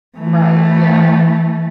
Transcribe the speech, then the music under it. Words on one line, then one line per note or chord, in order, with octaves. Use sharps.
Right, yeah.
E3 A3